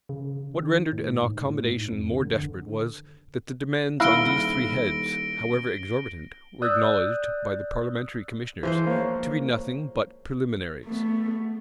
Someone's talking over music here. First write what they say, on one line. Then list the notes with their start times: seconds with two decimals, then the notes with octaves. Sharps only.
What rendered an accommodation more desperate was, that the demands on these three heads, however exorbitant, were acknowledged, by the parliamentary commissioners, to be nothing but preliminaries.
0.09 C#3
0.55 D#3
0.93 A2
1.23 G#2
1.48 A2
1.66 G#2
1.92 F2
2.11 D3
2.32 D3
4.00 D#1 E4 F5 F#5 A#6 D7 G7
6.62 D5 D#6 E6 F#6 G6
8.63 E3 F3 G#3 C5
8.87 A#3 C#5
10.85 A3 B3